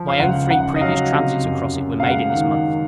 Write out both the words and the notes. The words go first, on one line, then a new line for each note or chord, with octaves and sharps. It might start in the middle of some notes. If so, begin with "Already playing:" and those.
My own three previous transits across it were made in this month.
Already playing: F3
F5
C#2 F#5
C#2 F#5
D#5
F#3 F5
C3
F#2
F#2
F5
G#3 F#5
D#3